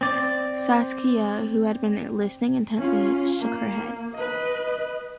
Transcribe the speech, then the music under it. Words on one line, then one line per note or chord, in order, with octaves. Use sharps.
Saskia, who had been listening intently, shook her head.
C4 D5
C#4 F4
A#3
B4 D#5